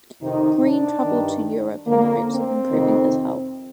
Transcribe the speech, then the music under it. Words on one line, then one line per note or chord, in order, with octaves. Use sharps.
Greene traveled to Europe in the hopes of improving his health.
F2 C3 D#3 D#4
D4
D#3
G2
F2 D3 A#3
C4
F2 C3 D#3